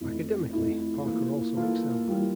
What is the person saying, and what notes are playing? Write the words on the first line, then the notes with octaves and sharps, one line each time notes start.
Academically, Parker also excelled.
F2 E3 A3 E4
F2 E3 A3 E4
E3 A#3 F4 A4
E3 A#3 F4 A4
E3 G3 A#3 F4